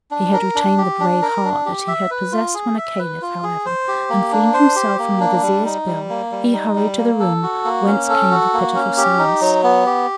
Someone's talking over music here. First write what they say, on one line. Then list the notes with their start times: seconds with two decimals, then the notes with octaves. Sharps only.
He had retained the brave heart that he had possessed when a Caliph, however, and freeing himself from the Vizier's bill, he hurried to the room whence came the pitiful sounds.
0.11 D4
0.33 A#4
0.55 D4
0.78 G4
1.00 D4
1.22 A#4
1.44 D4
1.66 G4
1.88 E5
2.11 B4
2.32 F4
2.54 G#4
2.77 E5
2.99 B4
3.22 F4
3.43 G#4
3.66 C5
3.88 G4
4.10 A#3
4.32 D4
4.54 C5
4.76 G4
4.99 A#3
5.20 D4
5.42 G3
5.65 D#4
5.87 G3
6.09 A#3
6.32 G3
6.53 D#4
6.76 G3
6.98 A#3
7.20 A4
7.43 F#4
7.64 A#3
7.86 C#4
8.09 A4
8.31 F#4
8.54 A#3
8.75 C#4
8.97 G4
9.19 D#4
9.41 F#3
9.64 B3
9.87 G4